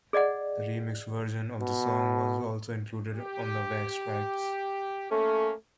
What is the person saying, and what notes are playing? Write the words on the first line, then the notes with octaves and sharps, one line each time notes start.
The remixed version of the song was also included on the Wax Trax!
G#4 D5 D#5 F#5
B2
G4
A3 A#3 C#4